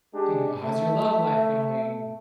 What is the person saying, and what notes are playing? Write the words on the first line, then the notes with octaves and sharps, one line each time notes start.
you know, "How's your love life going?"
G#3 D4 G4
A3 E5